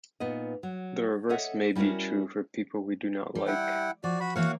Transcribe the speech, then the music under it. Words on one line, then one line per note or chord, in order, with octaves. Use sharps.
The reverse may be true for people we do not like.
A#2 B3 D#4 D#5
F#3
A4 C#5 D#5 E5 F#5
G3 C#4 E4 F#4 A#4
G3
E4 F#5 G5
F3 F#4 D5
F#4 B5
E3 A#3 F#4 C#5 F5 F#5